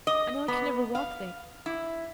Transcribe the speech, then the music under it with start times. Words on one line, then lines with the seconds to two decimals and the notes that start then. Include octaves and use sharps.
I know I can never walk there.
0.07 D#5
0.48 B3
0.95 F5
1.66 E4